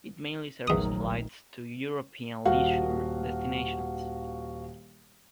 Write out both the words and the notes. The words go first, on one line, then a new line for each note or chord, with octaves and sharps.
It mainly serves flights to European leisure destinations.
F1 A#1 E2 D#3 F#3 D#6
D#1 F#4 F5